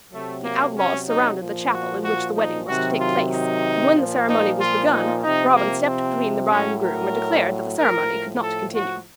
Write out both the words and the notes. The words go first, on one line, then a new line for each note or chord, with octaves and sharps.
The outlaws surrounded the chapel in which the wedding was to take place and when the ceremony was begun Robin stepped between the bride and groom and declared that the ceremony could not continue.
C3 F#3 A3
A#3
C#4
D#4
A#2 F3
F#4
F#4
D#4
C3 D#3 F#3 F#4
F4
D#4
A#2 F3
D#4
F4
D#4
C3 F3 D#4
A#3
C4
A2 F#3 C#4
A#4
A2 F3 A#4
A4
F#4